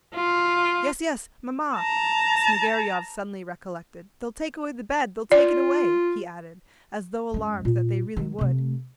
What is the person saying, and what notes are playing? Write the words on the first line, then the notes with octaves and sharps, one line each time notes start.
"Yes, yes, mamma!" Snegiryov suddenly recollected, "they'll take away the bed, they'll take it away," he added as though alarmed that they really would.
F4
A5 A#5
F4 D5
F#2 G#3
A#2 F4
D#3 G#3
C3 A3